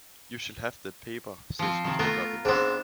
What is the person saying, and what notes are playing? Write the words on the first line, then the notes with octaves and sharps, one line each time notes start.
"You shall have the paper," says Mr. Guppy.
F3 C4
C3 D#3
A3 B3 F4 A#4
G#2 B3 C4 D4